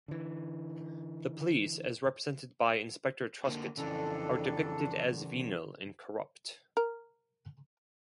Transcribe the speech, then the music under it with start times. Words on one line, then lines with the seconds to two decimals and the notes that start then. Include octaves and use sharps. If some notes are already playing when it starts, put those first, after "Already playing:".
The police, as represented by Inspector Truscott, are depicted as venal and corrupt.
0.08 D3 E3
3.45 D3 A#3
3.77 F2 C#3 E3 D4 A4
6.77 A#4